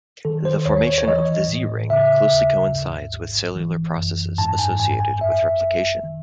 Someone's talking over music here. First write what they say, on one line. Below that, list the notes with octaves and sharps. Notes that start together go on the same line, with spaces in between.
The formation of the Z-ring closely coincides with cellular processes associated with replication.
D#3 A4
C5
D#2 C#5
C#5
C#5
E3 D#5
A2
C#3 E5
D#2
G#2
A1
E3
F#2
G#2 A5
G#5
G#1 G#5
G#5
F#2 E5
G#1
D#3